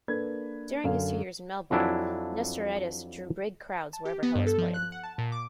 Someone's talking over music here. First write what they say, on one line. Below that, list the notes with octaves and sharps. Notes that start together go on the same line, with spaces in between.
During his two years in Melbourne, Nestoridis drew big crowds where ever Hellas played.
A#3 D4 A4 B4 G#6
F#2 D3 F5
F2 F#3 D4 E4 E5 G#5
A5
G4
B3
G2
A4
F3
F#6
F#5
A5
A#2
D6